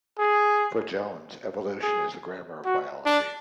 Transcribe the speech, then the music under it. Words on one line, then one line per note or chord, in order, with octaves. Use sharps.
For Jones, 'evolution is the grammar of biology'.
G#4
G#4
F#4
D4